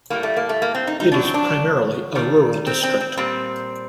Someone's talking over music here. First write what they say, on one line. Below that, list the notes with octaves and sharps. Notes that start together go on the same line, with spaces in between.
It is primarily a rural district.
A2 G3 A#3
A3
A#3
A3
A#3
C4
D#4
D#4
F#2 F#3 D4
C4
D4
G2 D#3 G3
C4
C4
C4
A#2 G3 C4